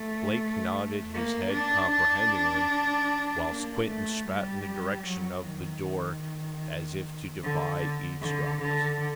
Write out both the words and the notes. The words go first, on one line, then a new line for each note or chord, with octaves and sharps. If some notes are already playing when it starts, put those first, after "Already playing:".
Blake nodded his head comprehendingly, whilst Quinton spat in the direction of the door as if to defy eavesdroppers.
Already playing: A3
A#3
D4
D4
A#3
A3
G3
F#3
D#3
D3
D3
D3